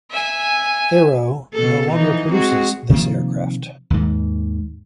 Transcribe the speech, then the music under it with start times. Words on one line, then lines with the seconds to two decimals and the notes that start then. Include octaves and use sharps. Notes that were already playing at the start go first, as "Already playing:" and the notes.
Aero no longer produces this aircraft.
0.11 E5 G#5
1.54 B2 A4
1.92 E3 F3 D#4
2.30 G#3 C4 F#4
2.89 C3 D#3 F3 A#3
3.90 D#2 G#2